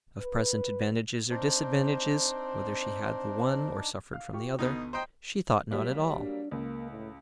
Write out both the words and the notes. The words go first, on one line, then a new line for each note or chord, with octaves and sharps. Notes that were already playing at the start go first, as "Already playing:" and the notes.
Of present advantages or disadvantages,--whether she had the one or suffered from the other,--she thought not at all.
B4
C4 D4 D#4
F5
F4 G4 C#6
D2 B2 B3 D#4
C5 D#5 G5 A#5
F#3 G3 A#3
D4
C#2 A#3
A2